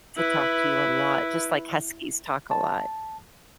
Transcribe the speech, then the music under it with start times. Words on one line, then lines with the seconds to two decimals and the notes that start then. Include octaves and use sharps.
to talk to you a lot, just like Huskies talk a lot.
0.17 E4 B4
2.51 A5